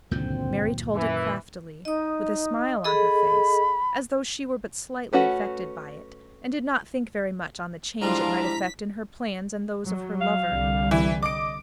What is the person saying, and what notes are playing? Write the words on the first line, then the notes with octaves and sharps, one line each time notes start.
Mary told it craftily, with a smile on her face, as though she were but slightly affected by it, and did not think very much on the change it might effect in her plans and those of her lover.
C#2 G2 A#2 D3 D#3 F#3 C4 G6
F#2 E3
D#4 D#5 D#6
G#4 A4 D#5 B5
A3 C#4 F#4 B4
F3 G3 G#3 D4 E4 F4 A#5
B6
F#3
F5
C2 D3 G3
E3 E4
D#5 D6 D7